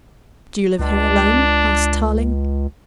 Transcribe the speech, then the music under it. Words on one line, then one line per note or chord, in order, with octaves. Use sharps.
"Do you live here alone?" asked Tarling.
C#2 D4